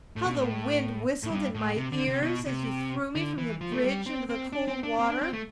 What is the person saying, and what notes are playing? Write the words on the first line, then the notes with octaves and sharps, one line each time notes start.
How the wind whistled in my ears as you threw me from the bridge into the cold water!
A2
B2
A2
A2
G2
A2
C3
D3
C3
B2
C3
D3
E3
F3
A3
G3
C4
C4
D4
C4
D4
C4
D4
C4
A3